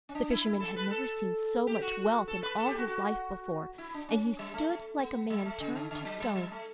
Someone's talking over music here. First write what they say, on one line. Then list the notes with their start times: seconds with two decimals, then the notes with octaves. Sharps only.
The fisherman had never seen so much wealth in all his life before, and he stood like a man turned to stone.
0.09 C#4
0.15 D4
0.30 E4
0.46 E4
0.60 A4
0.76 B4
0.91 A4
1.67 G4
1.81 F#4
2.28 A4
2.43 B4
2.58 A4
2.67 G4
2.78 F#4
2.88 F#4
3.78 E4
3.94 D4
4.09 C#4
4.39 G3
4.54 A3
4.69 A3
4.99 B3
5.30 G3
5.46 A3
5.60 C#3
5.75 D3
5.91 D3
6.05 F#3
6.20 G3
6.35 G3
6.52 A3